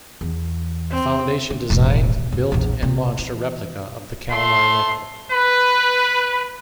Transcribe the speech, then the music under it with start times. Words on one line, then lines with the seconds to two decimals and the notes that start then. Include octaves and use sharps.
The foundation designed, built, and launched a replica of the "Kalmar Nyckel".
0.21 E2
0.91 C4
1.50 D3
1.70 E1 A1
2.32 F#2
2.52 A#1 E2
2.82 C3
3.18 E3
4.31 A3 C6
5.32 B4